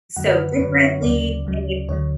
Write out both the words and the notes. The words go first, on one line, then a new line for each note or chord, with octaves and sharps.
so differently," and you
F#2 D3 F#3 F#5
B4
B4
F#2 D3 F#3 C#5
C#5
D2 C#3 F#3 D5
D2 C#3 F#3
D2 D3 F#3 C#5